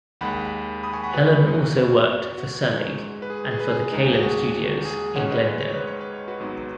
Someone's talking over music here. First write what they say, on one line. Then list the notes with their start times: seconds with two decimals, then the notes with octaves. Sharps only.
Helen also worked for Selig and for the Kalem Studios in Glendale.
0.21 D#2 D#3 G#3 F#5 B5
0.83 B5 D#6
0.93 G#5 C#6
1.04 F#5 B5
1.14 F#4 B4
1.45 G#1 F#2 C#3 B3
1.76 F#4 B4
2.38 F#4
2.68 G#2 G#3 D#4
3.22 B4
3.30 G#4
3.51 G#4
3.60 B4
3.69 G#4
3.92 D#2 C#3 G#3 D#4
4.13 G#4
4.23 F#4
4.85 G#4
5.16 G#2 D#3 G#3 C#4 C#5 F#5
5.31 B4 D#5
5.47 B4
5.60 C#5
5.74 B4
5.87 C#5
6.01 B4
6.14 C#5
6.28 F#4 B4
6.39 G#1 G#2 F#3 B3 D#4